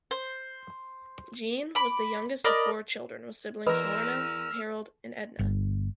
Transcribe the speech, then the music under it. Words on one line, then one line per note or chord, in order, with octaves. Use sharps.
Jean was the youngest of four children with siblings Lorna, Harold and Edna.
C5
B5 D6
A#4 D5 D#5 B5
E2 A#4 B4 D#5 E6 F6
G1